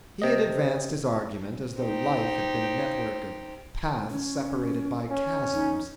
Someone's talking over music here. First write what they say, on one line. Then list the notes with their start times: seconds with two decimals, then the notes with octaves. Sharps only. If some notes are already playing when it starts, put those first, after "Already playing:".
He had advanced his argument as though life had been a network of paths separated by chasms.
0.22 C3 D#5
1.77 D#4 G4 C5
4.10 C#4
5.10 C#4
5.53 D#4